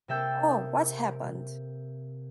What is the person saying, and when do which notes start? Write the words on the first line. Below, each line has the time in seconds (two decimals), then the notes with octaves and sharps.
Oh, what's happened?
0.08 C3 A#3 A4 E5 G5 G6